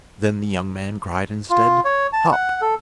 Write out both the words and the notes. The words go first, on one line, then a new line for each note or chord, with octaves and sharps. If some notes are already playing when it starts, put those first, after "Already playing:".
Then the young man cried instead, 'Hop!
F4
C#5
A5
F#5
A4